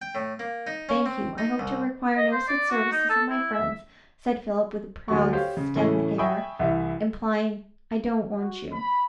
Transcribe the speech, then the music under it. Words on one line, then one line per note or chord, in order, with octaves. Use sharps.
'Thank you; I hope to require no such services of my friends,' said Philip, with a proud stem air, implying, 'I don't want you.'
G5
A2
A#3
D#4
C#4
C4
D#4
C2
D#5
C5
D5
F#4
D#4
A4
E4
E5
D2 F#3 C#6
G4 C5 C#5 F5
C#3
A2 C#3 E3 A3 C#4
E5 G5 G#5 B5 C#6 D#6
C2 E3 E5
F#4
B5